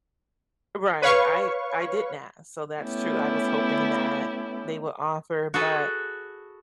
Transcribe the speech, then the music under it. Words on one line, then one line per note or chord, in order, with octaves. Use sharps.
Right, I I didn't ask, so that's true, I was hoping that they would offer, but
B4 C#5 F5 C#6
A3 B3 C#4 E4 G4
F#4 G#4 A4 B4